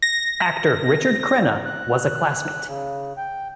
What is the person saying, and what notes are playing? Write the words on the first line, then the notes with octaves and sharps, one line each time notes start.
Actor Richard Crenna was a classmate.
A#6
F#6
C#3
G5